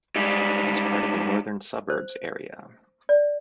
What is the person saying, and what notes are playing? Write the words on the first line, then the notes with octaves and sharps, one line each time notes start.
It is part of the Northern Suburbs area.
G#2 G3
C5
D5